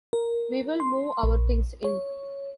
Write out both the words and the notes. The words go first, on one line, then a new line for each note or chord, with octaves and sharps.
We will move our things in.
A#4
C6
A#1
C#5